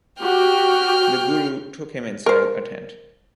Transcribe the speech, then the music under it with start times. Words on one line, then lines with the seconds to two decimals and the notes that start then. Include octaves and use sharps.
The Guru took him inside a tent.
0.21 F#4 G4 G5 F6
2.26 A#4 C5